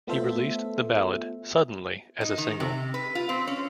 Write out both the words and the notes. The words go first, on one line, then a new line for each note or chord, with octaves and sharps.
He released the ballad, "Suddenly" as a single.
A3 B3 F4 A4 C5 E5
D#4
D#3
C3
B4
F4
C4
C#4